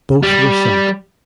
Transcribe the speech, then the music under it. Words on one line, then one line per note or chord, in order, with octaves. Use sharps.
Both were sunk.
G3